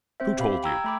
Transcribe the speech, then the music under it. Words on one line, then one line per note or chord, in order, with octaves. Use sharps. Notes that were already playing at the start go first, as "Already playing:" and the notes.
"Who told you?"
C4 C5 E5
G4 F5 B5
G5 A#5 E6 G#6
A3 B5 D6